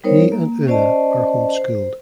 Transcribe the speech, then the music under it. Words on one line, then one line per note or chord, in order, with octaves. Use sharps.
He and Oona are homeschooled.
G3 B3 D#4 A#4 C5 C#5
A#3
C#4 C5 D5 D#5 A5
C5